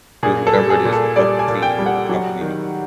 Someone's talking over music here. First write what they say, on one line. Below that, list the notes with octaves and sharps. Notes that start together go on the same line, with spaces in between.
doing whatever it is to help the team, or the company,
A#2 G#4
A4
G3
G#4
A#2
A4
G3 D5
G#5
A#2
G5
G3
F#5
F#3
D#3